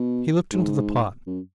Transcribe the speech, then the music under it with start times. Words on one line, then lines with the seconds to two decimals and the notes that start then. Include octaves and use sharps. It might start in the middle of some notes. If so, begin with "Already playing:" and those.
He looked into the pot.
Already playing: B2
0.53 G#2
1.27 F#2